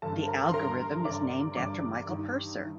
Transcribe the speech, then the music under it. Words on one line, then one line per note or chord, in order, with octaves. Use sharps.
The algorithm is named after Michael Purser.
G2 D3 A4 A5
A#4 A#5
C6
G2 D3 A#4 A#5
G2 D3 D5 D6
G2 D3 D5 D6
G2 D#3
D#3